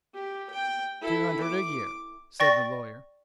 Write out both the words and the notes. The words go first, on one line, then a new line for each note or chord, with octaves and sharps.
"Two hundred a year," said the lawyer.
G4
G5
E4 A4
D6
D5 G5 C#6 A6 A#6